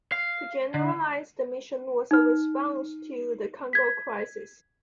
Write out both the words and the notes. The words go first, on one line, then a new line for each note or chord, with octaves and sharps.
To generalise, the mission was a response to the Congo Crisis.
F5
D3
D#4 F6
G#6 B6